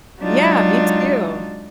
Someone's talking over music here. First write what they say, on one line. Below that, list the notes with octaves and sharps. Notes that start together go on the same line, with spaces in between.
Yeah, me too.
F#3 G#3 D4 D#4 F4 F#4